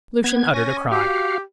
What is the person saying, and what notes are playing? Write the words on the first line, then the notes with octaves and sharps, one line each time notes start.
Lucian uttered a cry.
B3 G#6
C#4 G#5 A#6
F#4 G4 F5